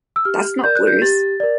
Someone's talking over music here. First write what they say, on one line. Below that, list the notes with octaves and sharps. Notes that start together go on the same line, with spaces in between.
That's not blues!
E6
G4 F6
A#4 D5 G6
F#6
G6
G4 A6
A#4 D5